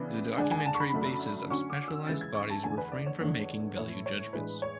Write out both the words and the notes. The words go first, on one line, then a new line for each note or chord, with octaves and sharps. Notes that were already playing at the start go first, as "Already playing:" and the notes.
The documentary bases of specialized bodies refrain from making value judgments.
Already playing: C#3 E3 B3 D4
D3 G#3 D4 G#5
G#5
A5
C#6
B5
F#2 D3 A3 D4
D3 F#3 C#4 C#6
D6
E6
C#3 E3 G#3 A6
G#6
C#6
A5
E2 D3 A3 G#5
B4
D5
C#5
E2 D3 A3 D4
A2 E3 A3 E4 C#5
C#5
A2 E3 G#3 D4 B4
C#5